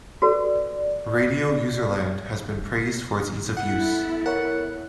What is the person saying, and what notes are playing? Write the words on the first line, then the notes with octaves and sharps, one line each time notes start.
Radio UserLand has been praised for its ease of use.
F#4 A4 B4 D5
B3 E4 A4 F#5
A#4 C#5 F#5